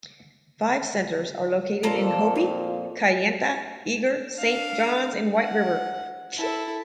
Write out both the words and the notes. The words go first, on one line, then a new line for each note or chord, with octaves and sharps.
Five centers are located in Hopi, Kayenta, Eagar, Saint Johns, and Whiteriver.
F2 A#2 F4 A4 A#4
F5
D4 F5
F#5
E4 A4